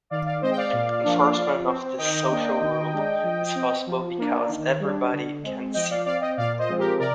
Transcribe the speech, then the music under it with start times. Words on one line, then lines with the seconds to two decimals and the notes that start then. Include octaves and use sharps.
Enforcement of this social rule is possible because everybody can see.
0.10 D#3 D5 F5
0.26 D5 F5
0.42 G#3 C4 C5 D#5
0.51 G5
0.57 D5 F5
0.73 A#2
1.04 F3 A#3 D4
1.36 F3
1.66 C4
1.98 D#3 D#5 G5
2.30 A#3 D4
2.61 D#3
2.93 G#3 D4
3.23 F3
3.55 C4
3.87 F3
4.18 A#3 D4
4.49 D#3
4.80 G3
4.85 D4
5.12 D3
5.43 G#3 C4
5.74 F3 D#5 G5
5.90 D5 F5
6.05 C4 D5 F5
6.21 D#5 G5
6.37 A#2 D5 F5
6.58 C5 D#5
6.69 F3 G#3 C4
6.79 G4 A#4
6.99 C3 A#4 D5